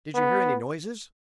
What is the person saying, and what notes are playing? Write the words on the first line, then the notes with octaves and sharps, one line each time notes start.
"Did you hear any noises?"
B3